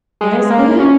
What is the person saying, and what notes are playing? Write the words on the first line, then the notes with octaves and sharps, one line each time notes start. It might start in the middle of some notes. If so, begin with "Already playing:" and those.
as good,
G#3
A#3
C#4